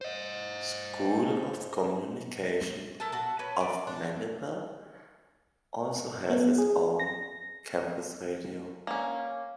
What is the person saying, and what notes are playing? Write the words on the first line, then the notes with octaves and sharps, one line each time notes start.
School of Communication of Manipal also has its own campus radio.
C5 D#5
E4 A4 A#4 A5
F#4 A5
C#4 B4
D5
D4
B3
G#4
A#6
A#3 C#4